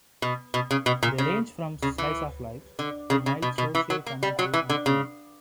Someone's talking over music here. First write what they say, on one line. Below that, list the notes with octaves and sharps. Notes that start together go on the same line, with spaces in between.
They range from slices of life to mild social commentary and humour.
B2
B2
C#3
B2
A#2
C#3
C#3
E3
D3
C#3
C#3
B2
B2
E3
F#3
A#3
G3
F#3
E3
D3
C#3